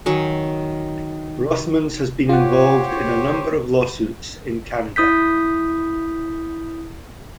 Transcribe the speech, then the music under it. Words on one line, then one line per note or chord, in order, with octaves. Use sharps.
Rothmans has been involved in a number of lawsuits in Canada.
D#3 F#3 G#5 C#6
F4 G4 C5 C#5 F#5
E4 D#6 G6 B6